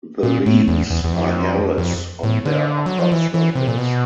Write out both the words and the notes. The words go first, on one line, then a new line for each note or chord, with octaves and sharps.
The leaves are hairless on their upper surface.
A#2
A2
E2
E2
E2
F2
F2
A2
D3
F#3
F3
E3
E3
C3
A#2
B2